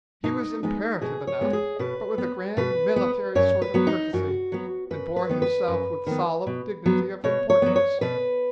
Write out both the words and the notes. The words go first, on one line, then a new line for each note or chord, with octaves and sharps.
He was imperative enough, but with a grand military sort of courtesy, and bore himself with solemn dignity of importance.
B2 D#4
G#3 B3 D#4
B2 G#4
C#5
G#3 B3
G#4
B2 B4
B3
B2 B4
B3
F#2 C#5
B4
F#3 B3
D#4
F#2 F#4
F#3 B3
F#2 B4
B4
D#3 B3
B4
F#2
D#3 B3
B2
F#3 B3
B2 C#5
C#5
F#3 B3
C#5
B2 B4